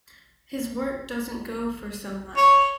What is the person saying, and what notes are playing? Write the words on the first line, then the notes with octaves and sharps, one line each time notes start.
His work doesn't go for so much.
C#5